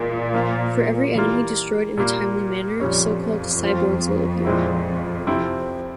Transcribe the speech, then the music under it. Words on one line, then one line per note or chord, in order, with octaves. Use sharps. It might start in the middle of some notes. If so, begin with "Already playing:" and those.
For every enemy destroyed in a timely manner, so-called "cyborgs" will appear.
Already playing: A#2 E3 G#3
F3 A#3 F4
E3 G3 A#3 F4
A#2 G3 A#3
F2 A#2 G3 C#4
F3 C4 F4
A#2 G#3 C4 E4
C3 F3 C4 E4